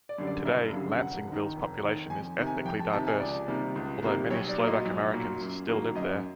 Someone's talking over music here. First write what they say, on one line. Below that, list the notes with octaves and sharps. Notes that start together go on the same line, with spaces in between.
Today, Lansingville's population is ethnically diverse, although many Slovak-Americans still live there.
D5
F#2 D3 G3
D5
F#1 E5
F#2 D3 G3 F5
F1 F#5
D#2 D#3
F1
D#2 D#3
F2 G#5
C3 D#3
G#5
F2 G5
A5
C3 D#3 A5
G#5
C#2 D5
C3 D#3 G3 A#3
C#2
C3 D#3 G3 A#3
B1 C#5
D5
A#2 F#3 A#3
D#5
B1
A#2 F#3 A#3
F#2
D#3 F#3 A#3
F#2 D#5